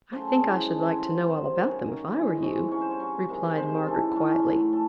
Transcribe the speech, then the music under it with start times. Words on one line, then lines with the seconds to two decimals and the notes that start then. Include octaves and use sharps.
'I think I should like to know all about them, if I were you,' replied Margaret quietly.
0.12 C#3 F#3 A3 C#4 C5
0.21 A4
0.31 G#4
0.40 E3 G#3 C#4
0.69 E3 G#3 C#4 A4
0.84 C5
0.98 C3 F#3 C4
1.27 C3 F#3 C4 C5
1.50 C#5
1.56 D#3 F#3 C#4 C5
1.70 C#5
1.85 D#3 F#3 C#4
2.13 E3 G#3 C4
2.28 D#5
2.42 E3 G#3 C4 C#5
2.71 C3 F#3 C#4 C#5
2.81 C5
2.90 C#5
3.00 C3 F#3 C#4
3.29 C3 D#3 G#3
3.57 C3 D#3 G#3 C5
3.86 E3 G#3 C#4 A4
4.15 E3 G#3 C#4
4.44 A2 F#3 C#4
4.73 C#4 A4